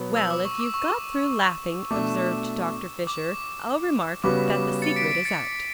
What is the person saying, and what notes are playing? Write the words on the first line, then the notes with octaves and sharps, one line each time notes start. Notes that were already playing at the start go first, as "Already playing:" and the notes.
"Well, if you've got through laughing," observed Dr. Fisher, "I'll remark that the secret is out."
Already playing: B2 F#3 B3
E6
D6
C#6
D6
C#6
B2 A3 D4 D6
D6
C#3 G3 B3 F#4 B4 D6
A6 C#7
B6 D7
B6 D7
A6 C#7